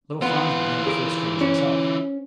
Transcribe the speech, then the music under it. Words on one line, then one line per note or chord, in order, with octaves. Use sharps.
Little Franz began to feel strange himself.
E3 B3 F4 B4
G#4 A#4
C#4 C5 C#5